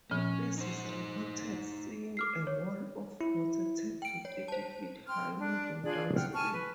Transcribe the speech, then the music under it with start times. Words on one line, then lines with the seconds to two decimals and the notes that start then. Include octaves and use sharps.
Witnesses reported seeing a "wall of water" ten to thirty feet high moving downstream.
0.11 A#2 F3 C#4
0.58 D#4 C5
2.17 D6 F6 C7
2.47 C#5
3.21 E4
4.02 G5 D7
4.25 C#5
4.48 C5 A5
5.07 G5 C6 F6
5.38 D4
5.83 D4 F4 G#4 D5
6.15 F#5 G5 F6
6.33 G#5 A5 C#6 F6
6.53 B4